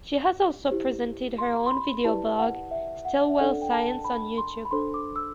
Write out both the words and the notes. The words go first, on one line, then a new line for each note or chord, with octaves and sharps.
She has also presented her own video blog, "Stillwell Science", on YouTube.
E4 G4 C5
C6
C6
B5
E4 G4 B4 D5 A5
F#5
E5
F#5
E5
D4 A4 D5 F#5
G5
A5
B5
C6
B5
D4 A4 C5 C6
D6
E6